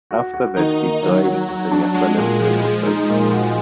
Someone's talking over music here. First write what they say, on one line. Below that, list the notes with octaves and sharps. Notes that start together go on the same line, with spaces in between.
After that, he joined the Nyasaland civil service.
F#4
F#4
D#3 D#4
A#3
D#3 F#3
F#4
F#4
D4
G#3 F#4
A#2
F3 G#3
G#3
D#4
A#2
F#4